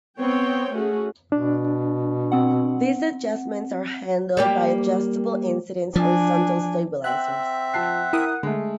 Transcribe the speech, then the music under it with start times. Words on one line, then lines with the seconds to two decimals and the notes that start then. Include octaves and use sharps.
These adjustments are handled by adjustable incidence horizontal stabilizers.
0.19 B3 C4 C#5 G5
0.74 A3 C#4 F#4 G#4
1.32 B2 D4
2.32 C4 F#5
4.37 G3 A#3 G4
5.96 F3 D4 G#5
7.04 C4 E5 F#5 G5 F#6
7.74 F3 F#5 A5 C7
8.13 E4 A#4 D#6
8.43 D3 G#3 A3